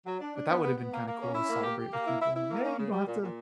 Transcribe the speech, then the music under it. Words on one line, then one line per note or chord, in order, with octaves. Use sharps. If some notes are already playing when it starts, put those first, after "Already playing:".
but that would have been kinda cool to celebrate with people, like, "Hey, you don't have to"
F#3
D4
D4
B3
B3
B3
A#3
A#3
C#4
E4
A#3
G4
G4
A#3
E4
E4
E4
A#3
C#4
C#3
G3
A#2
A#2